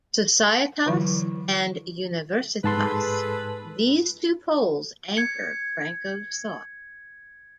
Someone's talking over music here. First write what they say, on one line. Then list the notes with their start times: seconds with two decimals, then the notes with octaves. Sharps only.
"Societas" and "universitas": These two poles anchor Franco's thought.
0.86 D3 E3 F#3 E4
2.64 G#2 G#4 A4 B4 A5 C6
5.17 G#6 C#7